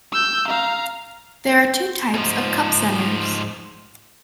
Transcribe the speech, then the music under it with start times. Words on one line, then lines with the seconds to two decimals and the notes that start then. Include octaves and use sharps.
There are two types of cup centers.
0.12 E6 G6
0.48 F5 A#5
2.14 G#2 F3